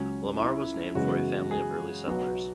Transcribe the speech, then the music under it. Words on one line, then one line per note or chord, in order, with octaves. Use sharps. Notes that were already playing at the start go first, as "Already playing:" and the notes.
Lamar was named for a family of early settlers.
Already playing: C#2 C#3 F#3 C#4
E4
F#2 C#3 E3 G#3 B3 F#4
G#4
B1 B2 F#3 B3 F#4